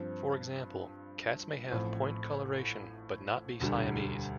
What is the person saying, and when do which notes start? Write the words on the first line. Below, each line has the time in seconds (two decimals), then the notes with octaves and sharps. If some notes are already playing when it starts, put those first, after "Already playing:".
For example, cats may have point coloration, but not be Siamese.
Already playing: G2 F3 C4
1.70 A1 A2 F3 C4
3.60 E1 D2 D3 G3